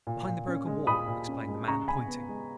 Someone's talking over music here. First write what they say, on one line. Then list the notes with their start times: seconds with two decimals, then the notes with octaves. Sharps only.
"Behind the broken wall," explained the man, pointing.
0.07 A#2
0.27 A#2
0.47 C#4
0.67 G#3
0.87 A#2 B5 D#6
1.08 A#2
1.28 C#4
1.48 G#3
1.68 C#3 A#5 C#6
1.88 C#3 G#5 B5
2.08 B3
2.29 G#3